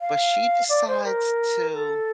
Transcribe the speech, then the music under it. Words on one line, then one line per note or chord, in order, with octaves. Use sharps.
But she decides to
F5
D5
C5
A#4
A4